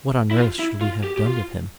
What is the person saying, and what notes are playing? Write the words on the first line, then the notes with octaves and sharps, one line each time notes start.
"What on earth should we have done with him?"
E4
F4
E4
F4
G4
G4
F4